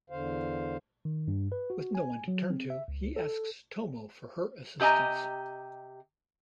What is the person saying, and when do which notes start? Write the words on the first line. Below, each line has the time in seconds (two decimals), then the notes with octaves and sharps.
With no one to turn to, he asks Tomoe for her assistance.
0.10 E2 D3 C5 F5
1.05 D#3
1.28 G2
1.52 B4
1.70 F#4
1.95 G#5
2.28 F#3
2.50 C4
2.70 E5
2.88 C#2
3.16 A4
4.80 C3 G4 D#5 G#5 A#5